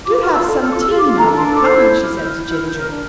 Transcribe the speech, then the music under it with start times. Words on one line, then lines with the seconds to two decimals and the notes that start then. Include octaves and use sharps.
"Do have some tea now you've come," she said to Ginger.
0.05 F4 D6
0.19 F4 F6
0.33 F4 E6
0.47 A4
0.61 A4 F6
0.71 D6
0.75 F4
0.80 E6
0.89 F4
0.99 D6
1.04 F4
1.18 A4 A#5
1.32 D4 C6
1.47 A4 E6
1.56 D6
1.61 C5
1.74 E4 E6
1.89 E4
2.03 E4 F6
2.17 E4 G6
2.30 E4 F6
2.43 E4 G6
2.55 E4 F6
2.68 G6
2.74 A#4
2.81 F6
2.89 D4